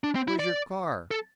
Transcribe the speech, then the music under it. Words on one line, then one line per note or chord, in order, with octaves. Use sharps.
Where's your car?
D4
C4
E4
D5
A4